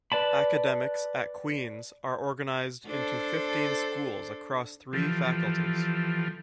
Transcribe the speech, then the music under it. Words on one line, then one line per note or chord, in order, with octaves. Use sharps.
Academics at Queen's are organised into fifteen schools across three faculties.
B4 D5 A5 B5
D4 A4 C5
E3 F3 G4 A4